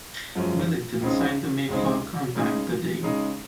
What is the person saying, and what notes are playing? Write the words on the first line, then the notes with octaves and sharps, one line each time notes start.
Billington signed the Mayflower Compact that day.
F#2 F3 G#3 C#4
C#2 C#3 G#3 C4 D#4
C#2 C#3 G#3 C4 D#4
C#3 G#3 D#4
C#3 G#3 D#4